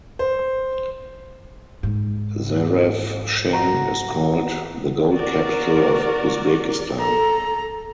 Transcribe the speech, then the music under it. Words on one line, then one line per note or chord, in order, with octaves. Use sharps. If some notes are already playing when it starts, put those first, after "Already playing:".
Zarafshan is called "the gold capital of Uzbekistan".
C5
G#2
F#4 A#5
F#4 A#4 D5
A4 A#5